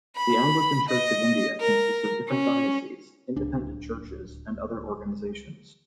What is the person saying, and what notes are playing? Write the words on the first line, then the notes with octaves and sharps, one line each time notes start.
The Anglican Church of India consists of different dioceses, independent churches and other organizations.
B5
D#5
A#4
C#4
D1 C#2 D4